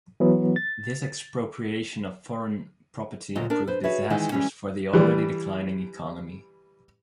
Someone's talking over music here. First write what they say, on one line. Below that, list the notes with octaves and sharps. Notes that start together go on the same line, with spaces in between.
This expropriation of foreign property proved disastrous for the already declining economy.
E3 F#3 B3
A6
D2 A#2 F#3 D#5
D4 A#4
B4 C5
F#4 G#4 B4 C#5 E5
D#3 E3 G#3 D#4
E3 G3 G#3 C#4
E3 G3